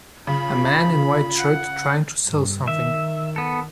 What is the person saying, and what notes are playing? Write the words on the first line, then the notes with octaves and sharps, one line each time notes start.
A man in white shirt trying to sell something.
C#3 F4 B5
F#5
G2
D#3 E5
B3 A4